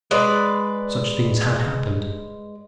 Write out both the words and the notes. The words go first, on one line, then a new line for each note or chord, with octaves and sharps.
Such things had happened.
G#3 B4 D5